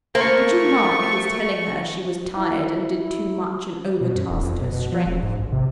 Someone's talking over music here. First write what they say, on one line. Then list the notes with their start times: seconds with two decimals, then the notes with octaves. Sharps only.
'Did you mark his telling her she was tired and did too much, and overtasked her strength?'
0.15 A3 A#3 C5 C#6
2.38 E4
4.01 B2
4.15 F#2
4.30 D#1
4.44 F2
4.61 B2
4.73 B2
4.92 F3
5.06 E1
5.22 G#2
5.39 G#1
5.52 C3